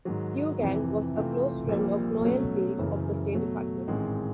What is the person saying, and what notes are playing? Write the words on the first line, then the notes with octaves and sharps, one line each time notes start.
Duggan was a close friend of Noel Field of the State Department.
G#2 D#3 F#3
F2 C3 E3
C3 E3 A3 C4 F4
A#1 A#2 G3 A#3
B2 F#3 A3 C#4
F#1 F#2 C#3 E3
B2 F#3 A3
A1 G#2 D#3 G#3 C4